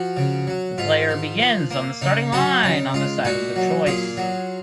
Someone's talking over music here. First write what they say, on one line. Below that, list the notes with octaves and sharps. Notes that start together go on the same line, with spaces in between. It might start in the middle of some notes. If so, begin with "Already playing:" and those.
The players begins on the starting line on the side of their choice.
Already playing: F3 F#4
C#3
F#3
G#2 F4
D#3
F3
A#3
C#3 D#4
F#3 D#4 F#4
C#3 D#4
G#3 F4
A#2 D#4 F#4
F#3
A#2 F4 G#4
F#3